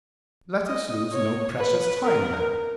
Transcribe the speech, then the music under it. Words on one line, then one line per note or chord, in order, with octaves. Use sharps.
Let us lose no precious time, then.
D#5
C#5
B4
A#4